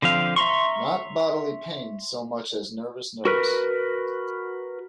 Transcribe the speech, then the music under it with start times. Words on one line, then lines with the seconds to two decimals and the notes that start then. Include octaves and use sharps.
Not bodily pain so much as nervous, nervous!
0.02 D3 F3 C4 F5
0.36 E5 A#5 C6 C#6
3.25 F#4 A#4 B4